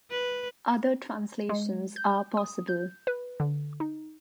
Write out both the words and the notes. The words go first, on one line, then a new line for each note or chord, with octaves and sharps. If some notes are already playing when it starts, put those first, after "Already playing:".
Other translations are possible.
B4
G#3
G6
D#6
G6
B4
D3
D#4